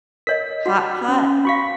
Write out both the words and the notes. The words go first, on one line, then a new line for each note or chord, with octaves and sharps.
Hot pot?
A#4 C#5 D#5 B6
F#4 F#5
C#4
F#4 F5 B5 C#6 B6